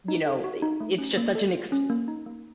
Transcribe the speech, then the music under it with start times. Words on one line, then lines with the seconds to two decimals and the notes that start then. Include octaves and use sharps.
You know, i it's just such an ex
0.08 D#4
0.26 A4
0.44 F#4
0.62 D#4
0.80 A3
0.98 C#4
1.17 A#3
1.35 A4
1.53 F4
1.72 C#4
1.90 A#3
2.08 D#4
2.26 A#3